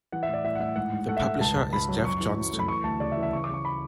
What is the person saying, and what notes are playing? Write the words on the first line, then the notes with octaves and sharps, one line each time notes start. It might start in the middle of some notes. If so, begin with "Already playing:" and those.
The publisher is Jeff Johnston.
E3 F#5
E5
A2 D5
A2 E5
F#5
A2 E5
G#2 F#5
G#2
A3 F#5
E5
G#2 F#5
C#2 A5
C#2
C#2 B5
F#3
F#2 C#6
E3
F#2
A3
B5
E3 C#6
D2 A5
C#3 D5
E5
E3
E5
C#3 C#6
D6
C#3 C#6
B5